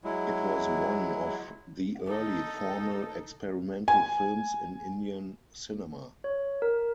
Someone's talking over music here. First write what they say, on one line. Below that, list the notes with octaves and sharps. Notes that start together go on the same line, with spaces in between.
It was one of the early formal experimental films in Indian cinema.
F#3 G#3 E4
D#4 A4
G#5
C#5
A#4